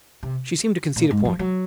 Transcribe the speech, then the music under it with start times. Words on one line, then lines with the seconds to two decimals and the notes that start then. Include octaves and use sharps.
She seemed to concede a point.
0.23 C3
0.96 A#2
1.11 G#2
1.25 F3
1.39 F#3